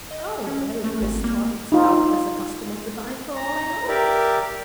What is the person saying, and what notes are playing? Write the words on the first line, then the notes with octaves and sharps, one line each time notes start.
Oh well, Chris thought, it's doubtless a custom of the time for all I know.
D#5
C#4
A3
G#1
A#3
D#4 F4
A#5
G4 A#4 D5 E5